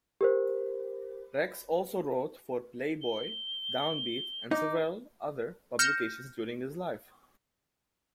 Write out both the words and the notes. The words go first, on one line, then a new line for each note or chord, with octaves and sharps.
Rex also wrote for "Playboy", "Down Beat" and several other publications during his life.
G4 A#4 C5
G7
D#4 D6
F6 G6 A#6 C#7 E7